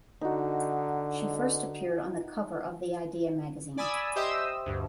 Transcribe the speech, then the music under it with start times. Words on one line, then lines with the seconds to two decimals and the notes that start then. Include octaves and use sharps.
She first appeared on cover of the Idea Magazine.
0.21 D3 D#4 F#4
3.77 D5 G#5 B5 D#6 E6
4.16 G4 C5 D#5 E5 D#6 E6
4.66 D2 G2